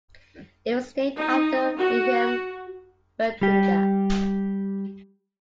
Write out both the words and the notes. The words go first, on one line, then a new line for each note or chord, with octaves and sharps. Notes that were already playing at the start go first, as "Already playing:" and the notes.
It was named after Wilhelm Wirtinger.
D#4
F#4
G3 G4